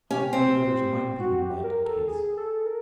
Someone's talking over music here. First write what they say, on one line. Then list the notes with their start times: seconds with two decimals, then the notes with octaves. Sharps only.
How many others might be in like case!
0.10 C#4 G4
0.33 C4
1.20 F#4
1.42 G4
1.64 A#4
1.86 A4
2.08 G#4
2.37 A4
2.66 A#4